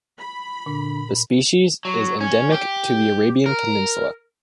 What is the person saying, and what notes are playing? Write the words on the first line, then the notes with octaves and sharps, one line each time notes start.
The species is endemic to the Arabian Peninsula.
B5
A#2 D3
F#3
C#4
G4
A#4